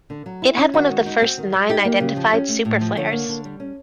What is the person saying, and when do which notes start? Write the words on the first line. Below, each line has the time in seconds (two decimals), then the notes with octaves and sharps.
It had one of the first nine identified superflares.
0.10 D3
0.26 F#3
0.42 E4
0.57 C#4
0.74 D#3 F#4
0.90 G#3
1.06 D#4
1.22 C4
1.38 D#3
1.53 G3
1.69 D#4 G4
1.85 A#3
2.00 C#3
2.16 F3
2.33 C#4
2.49 A3
2.65 A2
2.81 F3
2.97 D3 C#5
3.12 A#3
3.28 D3
3.45 G3
3.60 C#4